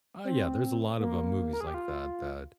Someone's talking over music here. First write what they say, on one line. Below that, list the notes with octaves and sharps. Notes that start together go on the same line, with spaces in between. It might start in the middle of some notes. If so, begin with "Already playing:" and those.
Ah, yeah. There's a lot of, uh, movies like that that
C4
A#3
A#4
G#4
G4
F4